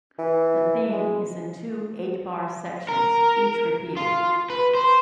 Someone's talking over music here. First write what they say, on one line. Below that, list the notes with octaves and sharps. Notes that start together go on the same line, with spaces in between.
The theme is in two eight-bar sections, each repeated.
E3
G#3
A#4
F4
B4
C5